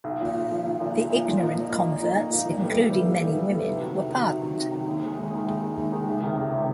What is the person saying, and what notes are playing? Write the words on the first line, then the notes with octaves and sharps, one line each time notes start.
The ignorant converts, including many women, were pardoned.
B1
A#2 F3
B1
A#2 F3
B1
A#2 F3
B1
A#2 F3
A#2
F3 A#3 D#4
A#2
F3 A#3 D#4
A#2
F3 A#3 D#4
A#2
F3 A#3 D#4
A#2
G3 B3 E4 A4
A#2
G3 B3 E4 A4
A#2
G3 B3 E4 A4
A#2
G3 B3 E4 A4
C3
D#3 F#3
C3
D#3 F#3
C3
D#3 F#3
C3
D#3 F#3
D#2
D#3 G#3
D#2
D#3 G#3
D#2
D#3 G#3
D#2
D#3 G#3
C#2
C3 D#3
C#2
C3 D#3